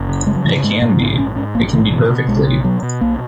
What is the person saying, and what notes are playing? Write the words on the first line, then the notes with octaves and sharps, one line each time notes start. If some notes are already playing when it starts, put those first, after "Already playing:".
It can be. It can be perfectly.
Already playing: F#1
C#3
C#3 G#3
F#3
G#2 E3
G#2 G#3
G#2 A#3
A#1 B3
G#2 C#4
G#2 C#4
A#1 A#3
G#2 E3
B2 E3
B2
B1 G#3
B2
B2 F#3
B2
B1 A#3